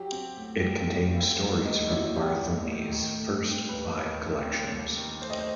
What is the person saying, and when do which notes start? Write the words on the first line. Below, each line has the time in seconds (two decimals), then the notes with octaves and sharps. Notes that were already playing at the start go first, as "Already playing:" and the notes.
It contains stories from Barthelme's first five collections.
Already playing: F#3 G4
0.12 C4
0.37 A2
0.63 A2
0.88 F#3
1.13 C4
1.39 A2
1.64 A2 D#4
1.90 F#3 E4
2.15 C4 G4
2.41 A2
2.67 A2
2.92 D#3
3.17 A3
3.43 C4
3.69 D#2 B4
3.94 D#3
4.20 A3
4.45 C4
4.70 D#2
4.96 D#3
5.22 A3 C5
5.30 D#5
5.39 C5